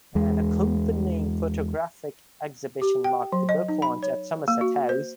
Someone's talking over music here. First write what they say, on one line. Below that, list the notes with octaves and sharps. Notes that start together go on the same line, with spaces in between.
An accompanying photographic exhibition marked the book launch at Somerset House.
E2 G#3
G4
G5
F#3
D#5
D#4
B5
C#5
A#3
F#4
C5